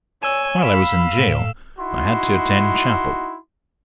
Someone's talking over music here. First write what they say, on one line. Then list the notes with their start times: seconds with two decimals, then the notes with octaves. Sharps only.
While I was in gaol I had to attend chapel.
0.23 C#5 D5 G#5 E6 E7
0.63 F5 B5 B6 E7
1.13 A2 B6 D7
1.79 D#4 E4 F#4 C6